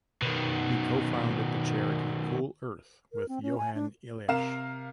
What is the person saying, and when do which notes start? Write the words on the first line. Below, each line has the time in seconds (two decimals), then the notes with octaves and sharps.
He co-founded the charity Cool Earth with Johan Eliasch.
0.22 B2 D#3
3.13 A#4
3.29 C4
3.43 C#4
3.58 G#5
3.75 D4
4.28 C3 A#4 F5 A#5 F6 E7